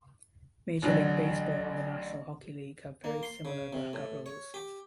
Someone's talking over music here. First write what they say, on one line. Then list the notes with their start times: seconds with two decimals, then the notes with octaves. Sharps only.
Major League Baseball and the National Hockey League have very similar blackout rules.
0.82 A1 D3 F#3 D4
3.04 A#3
3.23 C6
3.45 C#3
3.73 C3
3.93 A2
4.26 C#5
4.54 G4